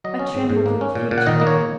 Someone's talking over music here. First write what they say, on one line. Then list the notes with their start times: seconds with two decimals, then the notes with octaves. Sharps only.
I tremble for the future.
0.04 F#3 D#5
0.19 C#4
0.35 G#2
0.50 G#2
0.66 A#3
0.81 C#4
0.95 A#2
1.11 A#2
1.18 F#5
1.26 D#3 D#5
1.40 A#3 D#5
1.47 C#5